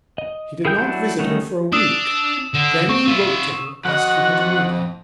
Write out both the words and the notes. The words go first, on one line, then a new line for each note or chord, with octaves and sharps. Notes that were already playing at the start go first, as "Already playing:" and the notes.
He did not visit her for a week, then he wrote to her asking her to meet him.
D#5
E4 G#4 A#4 G5 G6
F#3 D4 E4 F#4 G6
F#3 G3 A3 C#4 D#4
D4 D#6 E6 E7
D3 E7
C4 C5 C#6
F4 E5
F2 F#4 D#5 F#5